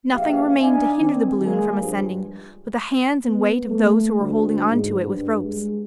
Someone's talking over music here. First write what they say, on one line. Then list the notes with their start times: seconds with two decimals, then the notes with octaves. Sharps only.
Nothing remained to hinder the balloon from ascending but the hands and weight of those who were holding on to it with ropes.
0.13 A#1 E2 G4 E5 F5
0.61 D4 D#4 D5 G#5
0.99 D#3 C4
1.44 G#3 A#3 G#4
1.79 G2 F3
3.27 B3
3.70 A3
4.19 D2
4.71 G#2
5.06 G2
5.45 G#3